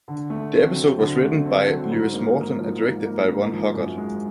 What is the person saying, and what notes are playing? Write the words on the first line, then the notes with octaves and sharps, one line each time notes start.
The episode was written by Lewis Morton and directed by Ron Hughart.
D3
A3
C4
F#3
D3
A3
C4
F#3
G#2
A#3
G#2
F3
G#2
A#3
G#2
F3
F#2
G#3